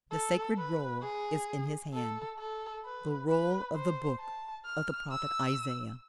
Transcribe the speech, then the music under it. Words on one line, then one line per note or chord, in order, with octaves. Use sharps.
The sacred Roll is in His hand; the Roll of the Book of the prophet Isaiah.
A4
B4
G#4
A4
A4
B4
B4
C5
A5
F6
E6